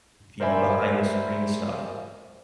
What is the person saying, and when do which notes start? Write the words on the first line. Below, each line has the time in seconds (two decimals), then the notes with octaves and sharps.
the behind the screen stuff.
0.40 A#4 C5 D5 E5 G#5 B5